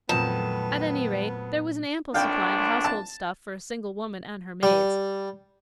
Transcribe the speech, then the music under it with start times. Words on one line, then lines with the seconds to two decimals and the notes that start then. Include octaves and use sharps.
At any rate, there was an ample supply of household stuff for a single woman and her maids.
0.09 F2 A#2 D#3 F#3 A3 B3 A5
2.14 A#1 A2 D4 F5 G5
2.85 A5
4.63 G3